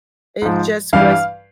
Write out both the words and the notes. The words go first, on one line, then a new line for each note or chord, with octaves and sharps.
it just was
G#2 F3
G2 E3 G3 F5